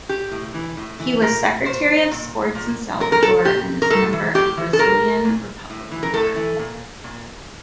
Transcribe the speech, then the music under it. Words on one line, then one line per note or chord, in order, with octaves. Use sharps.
He was Secretary of Sports in Salvador and is member of Brazilian Republican Party.
G4
A2
E3
A2
E3
A#2 A#4
A#2 C5
A#2
A#2
A#2 A#4
A#4
A4
A#2 G4
A#4
A2 A4
E3
A2 G4
E3
A4
A#2 A#4
A#2
A2
E3
A#4
A2 A4
E3
A#2
A#2